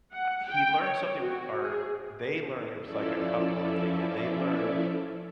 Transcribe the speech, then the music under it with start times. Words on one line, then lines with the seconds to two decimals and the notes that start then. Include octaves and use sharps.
uh, he learned something w or they learned it was, like, a couple, I think, and they learned
0.14 F#5
0.49 G5
0.84 C#5
1.21 F#4
1.62 G#4
2.83 F3 C#4 E4 A4 D5 E5